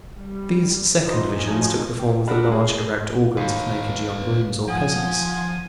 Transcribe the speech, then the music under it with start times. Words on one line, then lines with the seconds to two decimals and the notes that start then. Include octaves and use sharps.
These second visions took the form of the large, erect organs of naked young grooms or peasants.
0.16 G3
1.00 D3 E3 D#4 F4 C5 D#5
1.38 F3 A3 C#4 D#4 F#4 G#5
2.00 G5
2.27 D4 F#4 A#4 A#5 B5
2.47 G#3 A3 E4 G#4
3.37 D#2 A4 B4
4.68 F3 F#5 G#5 D#6